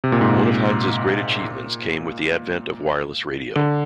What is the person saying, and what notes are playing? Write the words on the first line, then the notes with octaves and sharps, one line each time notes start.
One of Heinze's great achievements came with the advent of wireless radio.
C3
A#2
G#2
A#2
D3